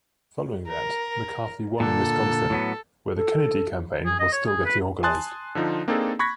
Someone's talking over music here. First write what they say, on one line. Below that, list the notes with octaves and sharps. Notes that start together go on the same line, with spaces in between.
Following that, McCarthy won in Wisconsin, where the Kennedy campaign was still getting organized.
A#4
A#2 D3 A4
A2 F#3 B3
A4
G#4
D#5
C#5
G#4
B4
G#5 A5 C6 D#6 F#6 A6
D3 F3 D#4 F4
A#3 C4 D4 D#4 G#4 A4
B5 C#6 F#6 G#6 A#6 B6